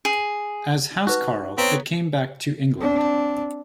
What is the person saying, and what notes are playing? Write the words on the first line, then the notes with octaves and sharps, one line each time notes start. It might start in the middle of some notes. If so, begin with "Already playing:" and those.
As "housecarl", it came back to England.
G#4
D#4 F#4 B4
B3 C4 B4 C#5 F5 A#5
C4 D4